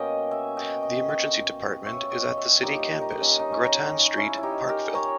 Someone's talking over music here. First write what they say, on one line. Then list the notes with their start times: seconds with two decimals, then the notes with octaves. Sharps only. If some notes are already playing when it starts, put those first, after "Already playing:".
The emergency department is at the City Campus, Grattan Street, Parkville.
Already playing: B2 A#3 C#4 D#5 G5
0.31 E5 G#5
0.57 D#5 G5
0.83 D#5 G5
1.08 D#5 G5
1.86 C#5 E5
2.11 D#5 G5
2.37 C#5 E5
2.62 A#2 G3 A#3 D#4 G4
3.01 D#4
3.12 D#4
3.21 C#4
3.40 D#4
3.52 C#4
3.65 D#4
4.17 C#4 E4
4.38 E4
4.43 D#4 G4
4.68 G4 A#4
4.94 A#4 C#5